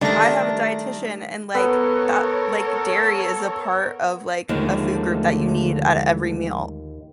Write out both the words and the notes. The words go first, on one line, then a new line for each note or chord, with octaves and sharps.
I have a dietitian and like that like dairy is a part of like a food group that you need at every meal.
D#3 G3 A3 D4 A#6
B3 A4 A#4 C#5
D#2 D3 F3 G#3 A3